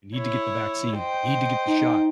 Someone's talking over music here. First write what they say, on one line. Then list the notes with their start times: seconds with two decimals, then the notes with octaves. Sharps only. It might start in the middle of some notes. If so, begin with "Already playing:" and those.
I need to get the vaccine, I need to get the shot,
0.17 E4 C#5
0.96 C5 D#5 G5
1.67 D#4